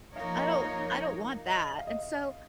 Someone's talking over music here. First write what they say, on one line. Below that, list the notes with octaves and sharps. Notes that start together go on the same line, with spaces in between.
I don't I don't want that," and so
F3 A#3 D#4 A#4 C#5 F5
D#5
F5
D#5
F5
D#5
D#5